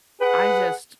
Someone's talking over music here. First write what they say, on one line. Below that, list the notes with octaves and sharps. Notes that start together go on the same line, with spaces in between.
I just
G#4 B4 F#5